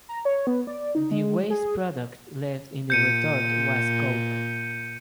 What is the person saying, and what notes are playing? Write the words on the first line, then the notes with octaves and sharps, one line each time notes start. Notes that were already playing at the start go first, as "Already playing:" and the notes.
The waste product left in the retort was coke.
A#5
C#5
B3
D5
D#4
G#3
G#4
A#2 G6 C#7 D#7